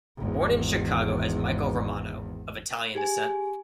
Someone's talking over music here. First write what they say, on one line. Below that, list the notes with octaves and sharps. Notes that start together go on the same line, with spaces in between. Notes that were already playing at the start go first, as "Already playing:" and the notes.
Born in Chicago as Michael Romano, of Italian descent.
G#1 E2
G4 G#4 G#5